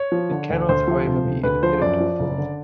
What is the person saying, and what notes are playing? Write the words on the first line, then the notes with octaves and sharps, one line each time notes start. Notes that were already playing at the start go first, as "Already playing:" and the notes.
It cannot, however, be independent of thought.
Already playing: C#5
F3
D3
D2
D2 C5
F3
C3
D2
D2 B4
F3 C5
F#2 D5
F3
F#1
D3